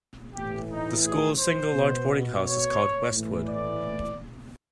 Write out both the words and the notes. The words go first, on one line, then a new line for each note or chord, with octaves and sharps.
The school's single large boarding house is called Westwood.
A2 E3 G4
D#4
G#4
C5
B2
C#5
A2 E3
D5